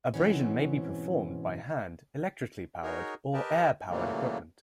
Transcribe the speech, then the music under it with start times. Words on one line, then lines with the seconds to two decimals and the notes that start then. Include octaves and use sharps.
Abrasion may be performed by hand, electrically powered, or air powered equipment.
0.14 G#2 B2 E3 C4 C#4
2.83 D#4 F#4 G#4 A#4 C#5
3.34 G4 A#4 B4 D#5 G5 A5
3.89 A#2 C#3 E3 F#3 A3 A#3